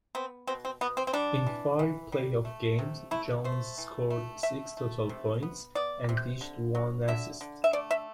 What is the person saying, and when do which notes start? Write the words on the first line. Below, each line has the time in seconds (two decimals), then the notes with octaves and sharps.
In five playoff games, Jones scored six total points and dished one assist.
0.15 B3 C4
0.47 B2 C4
0.65 C4
0.81 B2 B3
0.97 C4
1.07 C4
1.13 G3 D4
1.47 E3
1.79 E3
2.12 G3
2.45 A3
2.79 C3
3.11 A3 E4
3.44 A3 C5
3.78 E3
4.10 A3
4.43 A3 E5
4.77 A3
5.09 C3
5.43 B3
5.75 B3 D5
6.09 C3
6.41 D3
6.75 F#3
7.08 D3 E5
7.41 D3
7.64 E5
7.73 A3 D5
7.91 E5